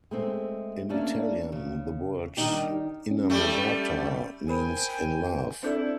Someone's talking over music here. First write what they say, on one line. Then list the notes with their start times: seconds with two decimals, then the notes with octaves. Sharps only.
In Italian, the word "innamorata" means "in love".
0.11 G#3 A3 C4 E4
0.89 A3 A#3 C#4 D4 C#5 D5
1.52 C#3
2.37 D#3 G3 D4 D#4 G4
3.11 C#4
3.30 G3 A3
4.49 A#4 C5 G5 G#5 B5
5.63 C4 D4 E4 A4 D5 G6 C#7